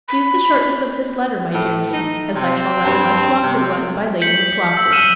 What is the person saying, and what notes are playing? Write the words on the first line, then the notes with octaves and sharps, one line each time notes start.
Excuse the Shortness of this Letter, my dear Niece, as I shall Write a much Longer one by Lady Maclaughlan.
B5
A2
D#4
C3 C4
G2
C3
G6 B6 C#7 F#7
B6
E6 B6
E6 F6 B6 C#7 D#7 E7